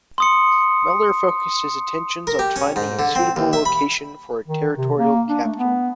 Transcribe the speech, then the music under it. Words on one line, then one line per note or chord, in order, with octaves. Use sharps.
Miller focused his attentions on finding a suitable location for a territorial capital.
C6 D#6 C#7
A#4
G4
C#4
G#2
D3
C4
D#2
E5
B5
D#3
C3
A#3
D4
A3
B3